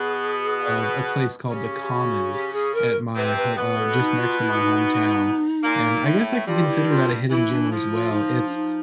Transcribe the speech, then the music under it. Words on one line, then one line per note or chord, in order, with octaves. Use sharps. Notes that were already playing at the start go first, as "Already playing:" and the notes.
of a place called The Commons at my ho uh, just next to my hometown, and I guess I can consider that a hidden gem as well. It's,
Already playing: B2 B3 G#4
C#3 C#4 G4
G4
F#4
G4
G#4
A#4
C3 C4 B4
B4
B2 B3 B4
A4
D#4
F4
E4
E4
D#4
A#2 A#3
A2 A3
G2 G3 F4
E4
F4
E3 E4
D4
F3 E4
F4
D#4
D4
D#4